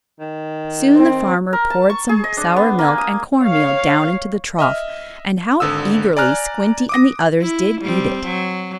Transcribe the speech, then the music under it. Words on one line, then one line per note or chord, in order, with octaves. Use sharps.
Soon the farmer poured some sour milk and corn meal down into the trough, and how eagerly Squinty and the others did eat it!
D#3
C4
A#4
A5
C#6
G#4
D#5
D4
B3
A#3
D#6
C#5 F5
D#5 E5 F6
G#1 D3 D#6 E6
D5 G#5 A#5 F6 F#6
D6 D#6 A#6
E4
G3 C4
F#3